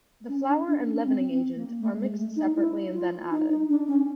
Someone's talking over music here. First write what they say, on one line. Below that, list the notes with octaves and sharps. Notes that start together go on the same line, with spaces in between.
The flour and leavening agent are mixed separately and then added.
C#4
D4
D4
C#4
C4
C4
A#3
A3
G#3
A3
D#4
E4
F4
D#4
D#4
D4
C#4